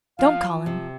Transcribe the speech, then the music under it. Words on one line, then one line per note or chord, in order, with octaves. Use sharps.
Don't call him.
F3 F5
C3